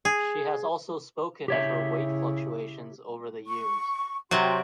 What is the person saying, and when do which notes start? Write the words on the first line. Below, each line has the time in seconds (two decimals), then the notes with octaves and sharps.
She has also spoken of her weight fluctuations over the years.
0.05 G#4
1.48 C#3 E4 G4 C#5 E5
3.47 C#6
4.31 C3 F#3 F#4 G5 C6